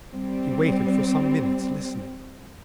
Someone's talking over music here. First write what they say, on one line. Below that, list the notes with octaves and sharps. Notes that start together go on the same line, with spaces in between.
He waited for some minutes listening.
G3 C4